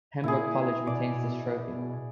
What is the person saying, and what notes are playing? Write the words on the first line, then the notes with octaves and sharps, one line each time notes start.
Pembroke College retains this trophy.
A#2 E4 G#4
B2 D5